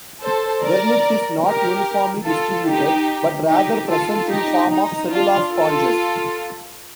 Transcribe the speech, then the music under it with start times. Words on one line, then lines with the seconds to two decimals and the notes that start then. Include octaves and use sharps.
Vernix is not uniformly distributed, but rather present in form of cellular sponges.
0.22 A4 C5
0.63 A#4 D5
1.45 G4 A#4
2.26 F4 A4
2.67 D#4 G4
3.48 D#4 G4
3.89 F4 A4
4.30 D#4 G4
4.71 D#4
5.12 D4 F4
5.52 F4 A4